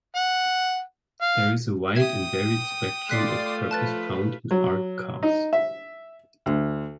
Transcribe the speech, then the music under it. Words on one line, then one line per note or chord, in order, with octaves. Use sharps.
There is a wide and varied spectrum of purpose found in art cars.
F#5
F5
E5 G5 D#6 G#6 E7
A3 F4 D5 C6 F#6 B6 C7
F3 B4 A5 F#6 A6
F#3
D#4
E5
D2